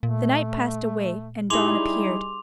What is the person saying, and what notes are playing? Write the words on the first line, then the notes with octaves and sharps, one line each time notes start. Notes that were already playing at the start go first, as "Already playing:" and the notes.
The night passed away, and dawn appeared.
A#2 A3
G3 D#4 E4 G#4 C6 D6 F7